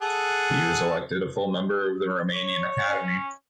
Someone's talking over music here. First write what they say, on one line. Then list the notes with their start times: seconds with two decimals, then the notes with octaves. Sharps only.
He was elected a full member of the Romanian Academy.
0.02 G#4 A4 F#5
2.33 C#5
2.88 C#4